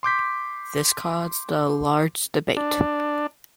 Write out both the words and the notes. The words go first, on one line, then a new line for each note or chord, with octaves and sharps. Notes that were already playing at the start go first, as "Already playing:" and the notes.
This caused a large debate.
C6 D6 G6 B6
D4